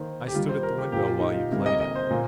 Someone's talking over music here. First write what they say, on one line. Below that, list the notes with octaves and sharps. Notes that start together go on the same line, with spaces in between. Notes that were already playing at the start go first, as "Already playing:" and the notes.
I stood at the window while you played it.
Already playing: D#3 A#3 C5
G4
D#3 G3 A#3 F4
C5
A#4
G4
A#2 F3 A#3 G4
F4
D#4
F4
C3 G3 A#3 A#4
D#5
D#5
C5
A#2 A#3